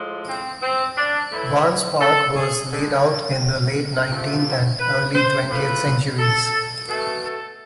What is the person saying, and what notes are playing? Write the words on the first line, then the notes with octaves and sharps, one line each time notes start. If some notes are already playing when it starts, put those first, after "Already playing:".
Barnes Park was laid out in the late nineteenth and early twentieth centuries.
Already playing: A2 F3 G#3
C4
C4
D4
A2 E3 A3 E4
A4
G#4
D3 G#3
C3 F3 A3
B4
C5
A2 F3 A3 B4
A4
B2 A3 A4
A4